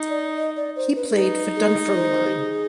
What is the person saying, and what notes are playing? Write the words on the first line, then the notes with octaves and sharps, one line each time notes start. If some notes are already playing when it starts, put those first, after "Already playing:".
He played for Dunfermline.
Already playing: D#4
D5
D#5
D5
C5
B4
G#4
D#4 B4
G#4
C5
G4
G#4